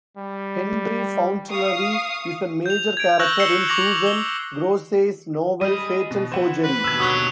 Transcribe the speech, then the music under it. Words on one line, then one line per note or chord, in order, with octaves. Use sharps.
Henry Fauntleroy is a major character in Susan Grossey's novel "Fatal Forgery".
G3
F5 C#6 D#6
G6 F7
G#6 D7
C#6 E6 F#6 G6 A#6 F#7
E6 C7 C#7 E7 G7
C#6 D6 A#6 F7 F#7
G7
G3 G#4 D#5
B2
E3 C5 F#5
B4
D#2 B2 D3 E6 G#6
F#3 D#6 F#6